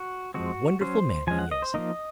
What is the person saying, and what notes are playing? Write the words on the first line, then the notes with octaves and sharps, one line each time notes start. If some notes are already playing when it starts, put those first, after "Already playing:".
A wonderful man he is.
Already playing: F#4
F3 G#3 C4 F#4
F#3 C#4 C5
F3 G#3 C#4 G#5
F#5
D#5
C5
F3 A#3 D#4 D#5